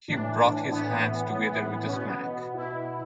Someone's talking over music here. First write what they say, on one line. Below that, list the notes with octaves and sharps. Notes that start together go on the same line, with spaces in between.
He brought his hands together with a smack.
A2 E3 D4
A2 E3
A2 E3 B3
A2 E3
A2 E3 B3
B3
A2 E3
C#4
B2 B3
B2
B2 E4
B2